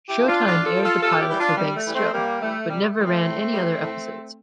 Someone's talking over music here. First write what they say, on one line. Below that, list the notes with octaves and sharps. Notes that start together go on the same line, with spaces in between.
Showtime aired the pilot for Banks' show, but never ran any other episodes.
E4 G4
F3
D4 F4
A2 D4 F4
F4 A4
F3
F4 A4
C3 F4 A4
E4 G4
E3 G3
D4 F4
C3 G3
A3
E3 G3
A3 C4
C3 G3 A#3
E3 G3 A3
C3 G3
A3
E3 G3
A3 C4
A2
G3
A2